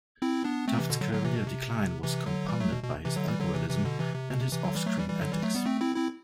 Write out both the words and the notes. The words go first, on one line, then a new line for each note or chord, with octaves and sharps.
Tuft's career decline was compounded by his alcoholism and his off-screen antics.
C4 E4
B3 D4
A3 C4
C3 E3
B2 D3
D3 F#3
D3 F#3
C3 E3
B2
C3
C3 E3
D3 F#3
E3 G3
F#3 A3
B2
B2
C3 E3
D3 F#3
E3 G3
D3 F#3
C3 E3
C3 E3
B2 D3
C3 E3
C3
B2
C3
C3 E3
D3 F#3
E3 G3
F#3 A3
E3 G3
E3 G3
D3 F#3
E3 G3
F#3 A3
G3 B3
A3 C4
C4 E4
C4 E4